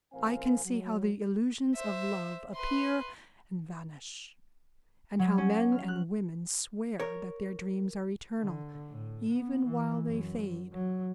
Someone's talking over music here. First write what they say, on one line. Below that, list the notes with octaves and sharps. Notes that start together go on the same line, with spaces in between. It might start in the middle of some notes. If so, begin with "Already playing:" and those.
I can see how the illusions of love appear and vanish, and how men and women swear that their dreams are eternal, even while they fade.
A1 C4 A#4 C5 F5 G#5
F#3
C5 E5
B4 C6
F#3
C#4
F6
F#6
A#4 C#5
D3
A2
B3
E3
F#2
F#3